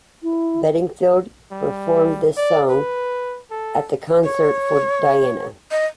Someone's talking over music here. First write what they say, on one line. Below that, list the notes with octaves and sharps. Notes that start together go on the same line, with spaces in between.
Bedingfield performed this song at the Concert for Diana.
E4
G3
D5
B4
A4
C#5
D#5